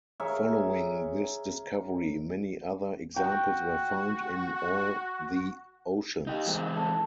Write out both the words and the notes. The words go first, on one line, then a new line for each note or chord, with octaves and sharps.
Following this discovery many other examples were found in all the oceans.
G#4 A#4 C#5 E5
F#4 G5
D#4 G4
E3 G#3 C4
A4